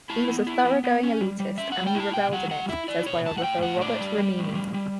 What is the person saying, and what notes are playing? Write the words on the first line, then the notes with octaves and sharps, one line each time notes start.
"He was a thoroughgoing elitist, and he reveled in it," says biographer Robert Remini.
E4 A5
B3
E4
B3
B3
C#4
G3
G3
C#4 E5
F#5
G3
G5
E4
A5
B2 G5
G3 F#5
G3 F#5
E4 E5
E4 D5
B2 C#5
A2 A5
F#5
A2 G5
A2 F#5
D4 D5
G3
G3
A2
G3
G3